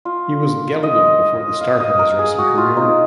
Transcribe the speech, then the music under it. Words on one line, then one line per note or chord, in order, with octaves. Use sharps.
He was gelded before the start of his racing career.
F4
D#5
F5
D#5
A#4
G#4
F#4
F4
D#4